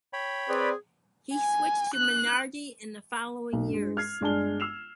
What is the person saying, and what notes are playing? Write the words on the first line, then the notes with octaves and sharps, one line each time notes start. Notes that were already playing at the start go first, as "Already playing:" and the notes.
He switched to Minardi in the following years.
C#5 G5 B5
C4 G#4 B4 D5
G#5
F#6
B1
G2 G#3
F6 G#6 C7
G1 G#3 D4 G#5 A5 G7
E6 F6 C7 E7 F7